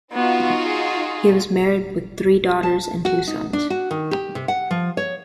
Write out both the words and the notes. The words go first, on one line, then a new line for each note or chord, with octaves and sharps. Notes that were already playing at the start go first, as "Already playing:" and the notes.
He was married with three daughters and two sons.
B3 D#4 F4 F#4
G#4
A5
F#4
D#4
D4
F#4
D#3
G4
C3
F#5
F3
C#5